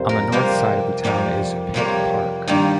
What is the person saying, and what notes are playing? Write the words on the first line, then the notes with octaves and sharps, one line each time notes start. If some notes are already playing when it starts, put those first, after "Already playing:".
On the north side of the town is Pitt Park.
Already playing: F2 C3 G3 A#3 C5
A#4
F2 C3 G3 A#3 C5
F2 C3 G3 A#3
F2 C3 G3 A#3 C#5
G2 D#3 G3 A#3